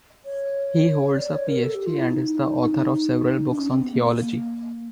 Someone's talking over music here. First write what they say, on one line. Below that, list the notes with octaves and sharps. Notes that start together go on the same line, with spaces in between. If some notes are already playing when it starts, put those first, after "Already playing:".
He holds a PhD and is the author of several books on theology.
C#5
D5
C#5
A#4
A4
G4
F4
E4
D#4
D4
C#4
C4
B3
A#3